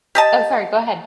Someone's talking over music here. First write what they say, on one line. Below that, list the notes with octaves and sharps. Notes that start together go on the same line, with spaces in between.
Oh, sorry, go ahead.
G4 D#5 A5